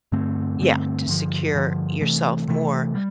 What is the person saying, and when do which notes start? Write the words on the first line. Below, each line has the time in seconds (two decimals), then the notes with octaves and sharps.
yeah, to secure yourself more,
0.12 G2 D3 A3 C4
0.59 G2 D3 A3 C4
1.07 G2 D3 F3
1.54 G2 D3 F3
2.01 C3 E3 A3
2.48 C3 E3 A3
2.95 G3